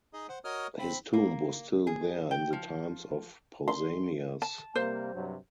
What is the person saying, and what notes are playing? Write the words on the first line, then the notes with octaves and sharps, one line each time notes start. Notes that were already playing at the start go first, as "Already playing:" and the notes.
His tomb was still there in the times of Pausanias.
D#4 G#4 D#5
C5 F#5
F#4 A#4 C#5 D#5 D#6 F6
C4 B5
A#3
G#4
G5
F3
C6
A5
C3 G3 A#3 C5
G2 C3 F#3